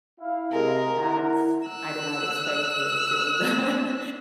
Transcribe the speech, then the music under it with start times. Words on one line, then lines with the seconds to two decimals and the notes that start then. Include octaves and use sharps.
that's I did not expect to deal with that.
0.19 E4 F5
0.52 C3 G#3 G#4 A#4
0.99 E4 F#5 A#5
1.68 E6 F#6